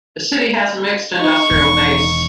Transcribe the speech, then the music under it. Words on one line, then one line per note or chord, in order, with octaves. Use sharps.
The city has a mixed industrial base.
D#4 C#6
E1 D#3 D#4